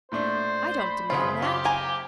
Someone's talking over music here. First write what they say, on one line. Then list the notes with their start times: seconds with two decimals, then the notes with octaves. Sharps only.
I don't demand that.
0.12 A#2 A3 D4 C5
0.78 B5
1.10 F#2 C#3 B3 C4 F4
1.42 F4 G4
1.65 A#3 G#5 A#5